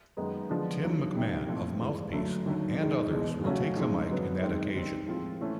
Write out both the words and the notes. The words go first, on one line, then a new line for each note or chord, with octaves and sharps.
Tim McMahon of Mouthpiece and others will take the mic in that occasion.
F#2 D#3 G#3 B3 D#4
D3 F3 G#3 B3 D4
D#2 C#3 F#3
C3 D#3 G3
A#2 F3 A3 C4 E4
G2 E3 G#3
F#2 D3 F#3 A3
D#2 D3 F#3
G#2 D#3 G#3
E2 B2 G#3
C#3 F#3 A3 C#4 F#4
G#2 F3 G#3 C4
D3 F#3 B3
D#3 G#3 C4
D#2 D#3 G3 C4
A2 F3 G#3 C4 F4
E3 A3 C#4